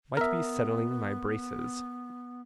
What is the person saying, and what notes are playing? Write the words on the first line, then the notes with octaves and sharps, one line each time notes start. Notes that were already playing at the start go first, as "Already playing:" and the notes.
Might be settling my braces.
B3 A#4 E5